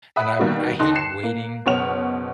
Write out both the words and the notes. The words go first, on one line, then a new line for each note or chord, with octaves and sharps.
and I uh, I hate waiting
E5 F#5 B5 D#6 F#6
B2 D#3 G3 A#3 F#4
D#2 D3 D#4 C6 F#6
C7 C#7 E7
A#3
F#1 B2 C#5 F#5 F6 F7